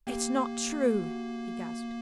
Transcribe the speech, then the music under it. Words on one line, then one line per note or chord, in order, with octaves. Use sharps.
"It's not true!" he gasped.
A#3 G4
F#4